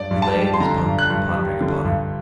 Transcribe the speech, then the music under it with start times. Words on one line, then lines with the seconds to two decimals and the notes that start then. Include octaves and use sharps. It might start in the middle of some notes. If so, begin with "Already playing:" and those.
He lay in his bunk pondering upon it.
Already playing: G2 D5
0.11 G2
0.22 A5
0.35 G3
0.53 C6
0.60 D3 A#5
0.86 G2
0.99 F#6
1.10 G2
1.36 G3
1.61 D3
1.85 G2